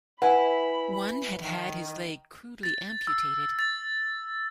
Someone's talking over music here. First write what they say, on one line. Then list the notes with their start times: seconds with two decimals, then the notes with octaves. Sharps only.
One had had his leg crudely amputated.
0.22 E4 B4 F#5 G#5 B5
1.41 D#3
2.63 A6
3.07 E6
3.59 A6